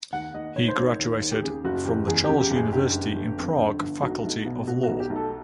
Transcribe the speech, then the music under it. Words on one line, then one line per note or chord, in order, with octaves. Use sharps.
He graduated from the Charles University in Prague faculty of law.
D#2 F#5
D#2 D#5
D#3 C#5
C5
D#3 C#5
D#2
D#2
G4
C#3 G#4
F#1 F#4
E3 G4
E2 G#4
C#3 G4
G4
F#1 G4
G#4
D3 G4
G1
G1
F2
D3
G1
B1 F#4
B1
B2
B2 F#4
F#4
B1
G4
B1
A4